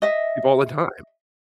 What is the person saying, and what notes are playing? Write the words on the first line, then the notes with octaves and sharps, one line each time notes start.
people all the time.
D#5 E5